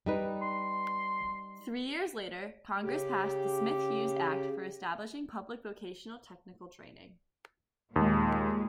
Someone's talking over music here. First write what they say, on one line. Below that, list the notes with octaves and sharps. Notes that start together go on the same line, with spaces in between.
Three years later, Congress passed the Smith-Hughes Act for establishing public vocational technical training.
G3 D#4 B4
C6
C#3 G4
D#2 A#2 G#3